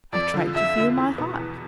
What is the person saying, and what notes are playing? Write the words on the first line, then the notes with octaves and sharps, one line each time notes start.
I tried to feel my heart.
F2 D5
D3 F3
F2 E5
D3 F3
E2
B2 B3
E2